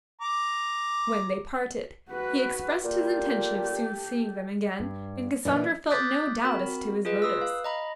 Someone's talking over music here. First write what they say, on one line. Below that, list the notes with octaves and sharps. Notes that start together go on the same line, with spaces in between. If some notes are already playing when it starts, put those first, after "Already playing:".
When they parted, he expressed his intention of soon seeing them again; and Cassandra felt no doubt as to his motives.
A#5 D6
F#4 B4
A#2 G4 A4
G2
A#2 E3 D4 D#4
D6 D#6 F#6 G6 A6 B6
C4 F#4 A#4 B5
F4 G#4 B4 D#5
B4 D#6 E6
F5
D#5 A#5 B5